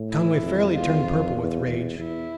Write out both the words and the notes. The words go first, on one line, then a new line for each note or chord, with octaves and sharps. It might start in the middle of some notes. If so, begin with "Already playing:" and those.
Conway fairly turned purple with rage.
Already playing: A2
E4
F2
E2 F4
F2
E2
E2
E2 E4